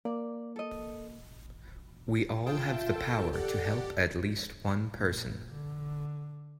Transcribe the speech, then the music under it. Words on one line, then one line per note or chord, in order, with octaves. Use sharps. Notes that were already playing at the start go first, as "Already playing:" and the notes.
We all have the power to help at least one person.
A#3 D5
A4 D#5
F4 G#4 G5 A5
E5
A4
G4 D5 F#5
A#1
D3